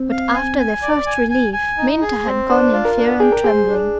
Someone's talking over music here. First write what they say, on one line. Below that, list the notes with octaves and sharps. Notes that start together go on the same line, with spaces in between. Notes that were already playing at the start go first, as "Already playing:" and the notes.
But after the first relief Minta had gone in fear and trembling.
Already playing: C4
F5
G#5
G#5
D5
G#5
G#5
G#5
D#4
G#4
C4
D4 C5
F4
A#4
D4
G#4 G5
A#4
G#4 C5
D4